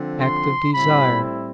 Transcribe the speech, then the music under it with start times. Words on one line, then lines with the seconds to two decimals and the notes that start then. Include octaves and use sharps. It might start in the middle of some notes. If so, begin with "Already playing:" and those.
Act of Desire.
Already playing: D3 F3 C4
0.22 C6
0.73 A2 G3 C4 E4 B5